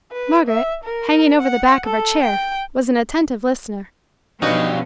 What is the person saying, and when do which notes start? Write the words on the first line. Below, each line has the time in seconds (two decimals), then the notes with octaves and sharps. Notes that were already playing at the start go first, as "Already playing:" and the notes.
Margaret, hanging over the back of her chair, was an attentive listener.
0.12 B4
0.47 E5
0.84 A#4
1.41 F#5
1.85 A4
2.22 G5
4.42 G2 B2 F3 F#3 C#4 D#4 F#4